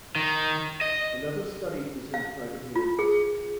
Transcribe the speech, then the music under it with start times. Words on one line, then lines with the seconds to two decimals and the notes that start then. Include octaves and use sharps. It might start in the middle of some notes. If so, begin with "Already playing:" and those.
Another study is in private hands.
0.16 D#3
0.81 D#5
2.14 F5
2.76 F4
2.99 G#4